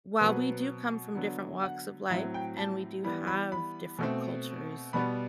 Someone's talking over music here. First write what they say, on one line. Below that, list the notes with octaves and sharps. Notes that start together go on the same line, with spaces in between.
while we do come from different walks of life, and we do have different cultures,
B2 F#3 C4 B4
D3 F#3 B3
F#5
A2 F#3 C4 E5
G5
A5
E3 G3 B3 B5
B5
B5
B2 A3 C4
B2 G3 B3 B5